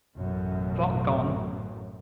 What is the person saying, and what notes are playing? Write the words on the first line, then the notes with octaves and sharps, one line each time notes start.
Clock gone.
A1 F#2 B2